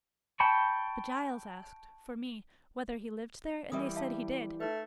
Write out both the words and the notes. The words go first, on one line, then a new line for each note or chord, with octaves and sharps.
But Giles asked, for me, whether he lived there, and they said he did.
G5 A5 B5 C#6
E3 G3 A#4 E5 D#6
E5 F5 A5
A3 D#4 B4